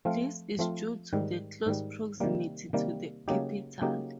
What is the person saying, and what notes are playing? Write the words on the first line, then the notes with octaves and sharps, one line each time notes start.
This is due to the close proximity to the capital.
F3 A3 C4 F4
F3 A3 C4 F4
G#2 D#3 G3
G#2 D#3 G3
C3 D#3 G3 A#3
C3 D#3 G3 A#3
C#3 F#3 A#3 D#4 G4
C#3 F#3 A#3 D#4 G4